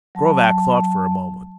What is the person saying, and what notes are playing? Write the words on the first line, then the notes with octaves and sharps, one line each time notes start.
Krovac thought for a moment.
F#3 A5